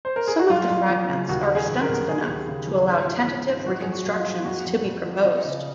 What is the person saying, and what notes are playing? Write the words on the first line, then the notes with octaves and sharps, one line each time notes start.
Some of the fragments are extensive enough to allow tentative reconstructions to be proposed.
C5
A#4
G#4
F#4
F#2 F4
F#2
F3
C#3
D#2 F#4
F#3
G#4
D#2
A#4
D#2
D#2 G#4
D#2
C#3
F3
G#2
F3
F3
G#2
F3 F#4
F#2 G#4
F#4
F#2
F4
F#2
F2 F#4
F2
F2
F3
F3 D#5
C#3